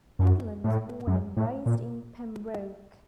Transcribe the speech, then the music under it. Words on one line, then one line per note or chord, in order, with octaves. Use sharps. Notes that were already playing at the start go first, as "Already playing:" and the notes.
Edlund was born and raised in Pembroke.
F#2
A2
F#2
A2
A#2